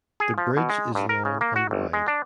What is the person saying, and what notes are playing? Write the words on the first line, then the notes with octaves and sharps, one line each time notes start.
The bridge is long and wide.
G#4
F3
B2
G#3
G2
A#4
C#3
A#3
F#4
G1
G#3
D4